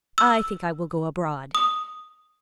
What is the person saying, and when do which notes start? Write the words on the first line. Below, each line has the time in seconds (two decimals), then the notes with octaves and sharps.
"I think I will go abroad."
0.18 E6
1.55 D#6